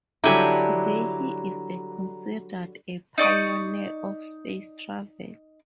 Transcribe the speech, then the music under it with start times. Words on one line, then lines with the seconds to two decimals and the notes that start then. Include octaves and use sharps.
Today he is considered a pioneer of space travel.
0.24 D3 F#3 G3 D4 E4 G4 G#5 A#5
3.18 D#4 D5 C#6 D#6